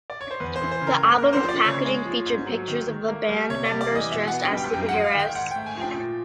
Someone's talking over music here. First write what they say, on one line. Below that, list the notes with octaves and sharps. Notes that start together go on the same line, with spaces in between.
The album's packaging featured pictures of the band members dressed as superheroes.
D5
C#5
C5
E2 B4
C5
E3
C5
C#3
A#4
G#2 A#4
A#3 A#4
C5
F3
D5
C#3 C#5
G#3
F3
G#2
F#3
D#3
D#3
A#3
G3
C3 C#5
D5
G3
D5
E3 D#5
B2 E5
B3 F#5
G5
G3 G5
F#2 G5
F#5
G#3
F5
D#3 G5
G#2 F#5
A3 G5
G#5
F3 G5
A#2